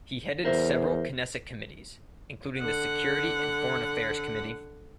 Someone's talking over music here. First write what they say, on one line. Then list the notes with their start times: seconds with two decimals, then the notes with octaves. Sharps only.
He headed several Knesset committees, including the Security and Foreign Affairs committee.
0.45 E2 A#4 C5 E5
2.59 D3 F#5